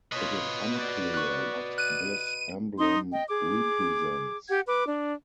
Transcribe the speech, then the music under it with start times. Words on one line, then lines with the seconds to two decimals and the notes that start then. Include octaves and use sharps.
It is unclear what this emblem represents.
0.12 F4 B4 C#5 D#5
0.71 F#4 D5
1.14 C#6 F#6
1.78 F#6 D#7
2.78 D#4 C6 D#6
3.12 D#5 G5
3.28 G#4 D6
4.48 G4 F#5 G#6
4.67 B4 D6
4.86 D4